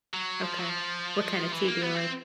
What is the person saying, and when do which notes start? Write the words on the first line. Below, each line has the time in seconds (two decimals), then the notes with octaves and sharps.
Okay. What kinda tea do you like?
0.14 F#3
0.42 F3
0.60 F#3
0.69 F3
1.53 E3
1.68 A#3
1.81 B3
1.95 C4